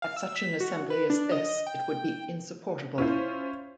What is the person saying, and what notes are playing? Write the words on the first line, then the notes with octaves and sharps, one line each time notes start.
At such an assembly as this it would be insupportable.
F5
E6
B6
F#4
B4
D4
D#5
G5
C#4 E4 F4 C5